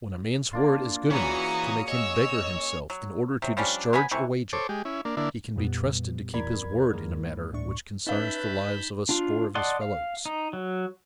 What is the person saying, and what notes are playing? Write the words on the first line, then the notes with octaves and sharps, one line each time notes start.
When a man's word is good enough to make him beggar himself in order to discharge a wager, he can be trusted to keep his word in a matter which concerns the lives of a score of his fellows.
A#3 D4 F4
E3 C#4 F#4 G#4 A#5 D#6 C#7
C#5 D#5 E6
F#3
C3 F#3
F3 G3 C#4 D4
F#3 B3 G#5 B5
C3 E3 C#6
A4 C5 C#5 D6
G#3 G4
C#4 E4
A#3 D4
D3 A#3 D4 E4
F2 A#2 G3 B3
E2 E3 A#4 D5 B5 G#6
E2 G2 D#3 E3 G#3 A#3
D2 A2 D4 C#6
C#4 D#4 B4 E5 A5 B5 G6
D4 F4
D5 D#5 F#5 A5 C6
F5
D#4
F#3